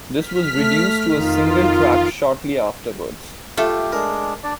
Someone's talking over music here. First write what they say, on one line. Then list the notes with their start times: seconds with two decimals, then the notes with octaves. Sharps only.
This was reduced to a single track shortly afterwards.
0.19 F6 B6
0.54 A3
1.13 F2 D#3 F4
3.57 A3 F4 G4 A4
3.92 G#3 D4 A#4
4.43 D4 D5